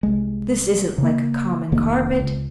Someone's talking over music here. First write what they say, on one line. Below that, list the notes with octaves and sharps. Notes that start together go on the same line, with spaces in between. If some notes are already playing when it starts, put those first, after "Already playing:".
This isn't like a common carpet.
C2 G#3
C#3 A#3
F1 D#3 A#3
C#2